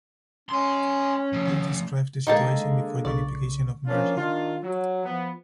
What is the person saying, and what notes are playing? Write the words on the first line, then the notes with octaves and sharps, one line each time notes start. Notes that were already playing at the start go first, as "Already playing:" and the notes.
This describes the situation before the unification of Mercia.
C#4 G#5 C6
F3 A3
D3 G#3 A#3 D#4 G5 A5
B1 C#3 D5 C#6
F3 A#3 C#4 D4 F4
D#3 D4 F4
F#3
F3 B3